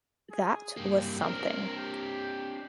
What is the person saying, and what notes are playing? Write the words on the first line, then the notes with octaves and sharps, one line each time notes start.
That was something.
G#4
G2 A#3 G4
C4 D4 A#4
G4